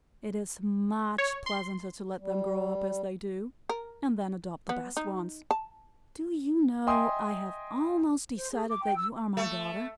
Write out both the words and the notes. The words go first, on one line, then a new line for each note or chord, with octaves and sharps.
It is much pleasanter to let them grow up as they do and then adopt the best ones. Do you know, I have almost decided that you are my daughter?
C#5
C6
G3
A#4
B3
D#4
A5
D#5 E5 G5 G#5 C6 D#6
C5
G#4
D6
G5
E6
A3